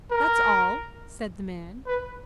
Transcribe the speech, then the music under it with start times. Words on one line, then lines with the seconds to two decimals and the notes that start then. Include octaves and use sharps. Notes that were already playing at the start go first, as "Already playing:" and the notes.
"That's all," said the man.
0.12 A#4
1.87 B4